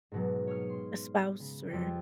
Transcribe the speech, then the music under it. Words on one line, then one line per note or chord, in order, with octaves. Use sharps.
a spouse or
G#2 B2 F#3
C#5 D#6 F6
C6
C#3
F2 G3